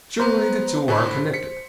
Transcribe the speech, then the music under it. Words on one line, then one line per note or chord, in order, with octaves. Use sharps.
Surely the two are connected.
B3 B4 C5 A#5
A2 D3 B5
B6 C#7